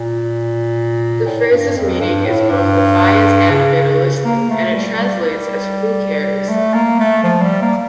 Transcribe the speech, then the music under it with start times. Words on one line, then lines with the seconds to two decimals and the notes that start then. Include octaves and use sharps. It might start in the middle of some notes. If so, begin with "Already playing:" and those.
The phrase's meaning is both defiant and fatalistic, and it translates as Who cares?
Already playing: A#2
1.27 A2
1.51 G2
1.76 F2
2.01 G2
2.26 A2
2.51 G2
3.50 C#3
3.75 C#3
4.01 C#3
4.25 A#3
4.50 A3
4.75 G3
5.00 G3
6.49 A3
6.74 A#3
7.00 A3
7.23 F3
7.42 G3
7.62 A#3